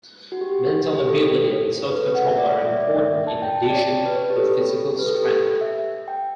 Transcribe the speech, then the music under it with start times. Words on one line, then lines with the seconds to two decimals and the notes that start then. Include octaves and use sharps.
Mental ability and self-control are important in addition to physical strength.
0.32 F#4
0.41 G4
0.52 G4
0.62 F#4
0.94 G4
1.09 A4
1.87 B4
1.95 A4
2.03 B4
2.15 F#5
2.26 E5
2.38 D5
2.50 C#5
2.61 D5
2.65 E5
2.81 D5
2.96 E5
3.27 A5
3.42 G5
3.53 A5
3.64 A5
3.70 D5
3.74 C#5
4.05 B4
4.15 C#5
4.24 B4
4.30 G4
4.36 A4
4.99 B4
5.06 A4
5.15 G4
5.23 A4
5.61 E5
6.08 G5